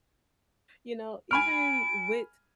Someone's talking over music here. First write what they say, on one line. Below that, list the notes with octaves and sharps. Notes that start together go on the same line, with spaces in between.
you know, even wit
G#5 B5 F6 D7